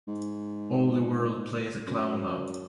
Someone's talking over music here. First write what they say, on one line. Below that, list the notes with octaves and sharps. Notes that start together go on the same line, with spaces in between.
All the world plays a clown now.
G#2
F#2